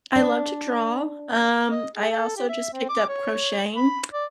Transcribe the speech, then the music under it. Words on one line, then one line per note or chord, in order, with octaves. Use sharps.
I love to draw, um, I also just picked up crocheting.
D4
D#5
G#4
A4
G4
E5
C4
D6
C#5
B5
D5